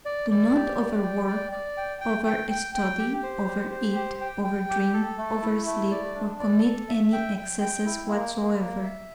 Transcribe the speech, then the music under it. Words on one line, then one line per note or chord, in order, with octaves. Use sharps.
Do not over-work, over-study, over-eat, over-drink, over-sleep, or commit any excess whatsoever.
D5
D5
G4
D5
G5
D5
D5
G5
G5
G5
G5
G5
G4
C5
G4
C5
G4
G5
G5
G4
A4
A3
E4
A3
D5
D4
D5
A4
E5
G5
G5
G5
E4
A#3
A#3
A#3
E5